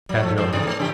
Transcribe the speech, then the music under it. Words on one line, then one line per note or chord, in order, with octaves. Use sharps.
Tad nodded.
F#3
F3 A3
A2 F3 C5
E2 C3 D5
A3
C#3 E3 G4